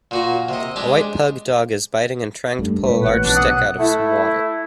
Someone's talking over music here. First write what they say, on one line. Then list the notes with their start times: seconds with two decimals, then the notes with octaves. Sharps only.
A white Pug dog is biting and trying to pull a large stick out of some water.
0.11 A#2 F#4 A#5
0.49 C3 D#5
0.76 G#3 D4 G4
2.59 G2 A3
2.84 A#2 G#3 B4 C#5
3.04 A1 F#5
3.24 B1 B2 D4
3.36 F#5 D#6
3.79 A3 E4